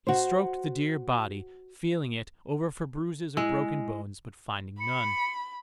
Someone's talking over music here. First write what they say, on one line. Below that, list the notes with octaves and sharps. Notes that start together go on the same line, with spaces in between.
He stroked the dear body, feeling it over for bruises or broken bones, but finding none.
F#4 C5
G#3 E4
B5 C#7